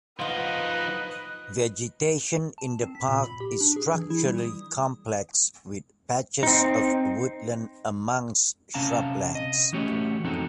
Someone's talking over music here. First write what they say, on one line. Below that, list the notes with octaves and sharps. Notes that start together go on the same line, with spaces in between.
Vegetation in the park is structurally complex, with patches of woodland amongst shrublands.
F3 D#4 F4 B4 D#5 F#5 F#6
A5
C4
B6
A#2
B5
G4
D4
G#4
E3
E4
G3
D#6
C4 D#4
C3 C#4 F5 A5 A#5
D#5
E3 A3 C#4 F#4 G4 C#5
F2 G#3 C4 D#4 F#4 A4